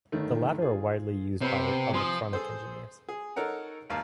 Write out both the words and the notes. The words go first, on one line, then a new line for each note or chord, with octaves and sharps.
The latter are widely used by electronic engineers.
G1 D#3 A3
F4 G#4
C3 B3 C5 B5
F3 G#5 C6 D#6
G#4 A4 C5
G#4
D#4 A4 A#4 C#5 F#5 A#5
G#1 D#2 F5 A5